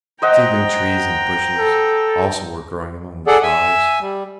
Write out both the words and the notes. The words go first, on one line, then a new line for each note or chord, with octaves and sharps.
Seedling trees and bushes also were growing among the flowers.
C5 D#5 F#5 G5 A#5
A4
G#4 A4 D5 F#5
E5 G#5 E6
G3